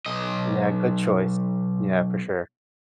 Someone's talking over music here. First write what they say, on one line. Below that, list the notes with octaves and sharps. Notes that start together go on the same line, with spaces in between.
Yeah, good choice. Yeah, for sure.
B1 D#5